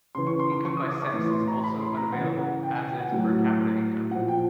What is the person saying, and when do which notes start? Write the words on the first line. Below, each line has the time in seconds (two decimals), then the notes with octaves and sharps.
Income by sex is also unavailable, as is per capita income.
0.15 C#3 E3 C6
0.27 C#6
0.40 C6
0.52 C6
0.65 C#6
0.77 D#6
0.89 D6
1.02 D6
1.14 A2 E3 C#6
1.30 C6
1.47 A#5
1.64 B5
1.81 C6
1.97 A#5
2.12 C#3 E3 F#5
2.38 F#5
2.63 G5
2.75 G#5
2.88 G5
3.00 F#5
3.12 A2 F#3
4.11 A#2 F#5
4.15 F3
4.28 G5